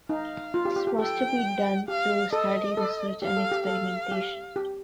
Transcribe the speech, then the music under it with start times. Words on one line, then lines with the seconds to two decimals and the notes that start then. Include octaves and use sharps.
This was to be done through study, research, and experimentation.
0.09 D#4 F5
0.54 F4
0.65 G4
0.76 G4
0.87 G4
0.99 A4 G5
1.88 G4 F5
2.33 A4 D#5
2.77 A4
3.22 G4 F5
3.37 A4
3.52 G4
3.66 A4 F5
4.11 G4
4.56 G4